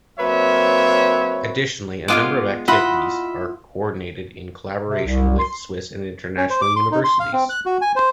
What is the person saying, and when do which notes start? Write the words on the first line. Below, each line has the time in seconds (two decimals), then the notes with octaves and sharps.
Additionally, a number of activities are co-ordinated in collaboration with Swiss and International Universities.
0.20 F#3 A#3 C4 B4 C#5 E5
2.08 G#3 B3 F4 D6 E6 F6
2.68 E4 F4 D#5 E5 F#5 B5
4.89 C3
5.06 C2
5.39 C6
6.37 C#4
6.50 C5
6.61 D6
6.76 C6
6.91 D#4
7.04 C6
7.20 F5
7.33 C4
7.50 F#6
7.66 F#4
7.81 G#5
7.96 C5